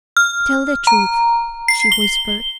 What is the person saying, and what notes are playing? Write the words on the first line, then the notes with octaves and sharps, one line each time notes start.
"Tell the truth," she whispered.
F6
A#5
C7
G7